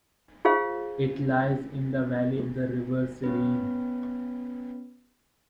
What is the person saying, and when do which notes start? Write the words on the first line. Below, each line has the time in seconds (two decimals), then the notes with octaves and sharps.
It lies in the valley of the River Serein.
0.45 F4 G#4 C5 F5
3.24 B3 C#4 B4